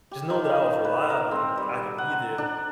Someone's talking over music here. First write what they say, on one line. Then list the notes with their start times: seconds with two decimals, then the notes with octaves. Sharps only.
just knowing that I was reliable and I could be there,
0.11 G4
0.30 D#3
0.84 B4
1.10 A#4
1.31 C4
1.58 G3
1.98 F#5
2.38 D4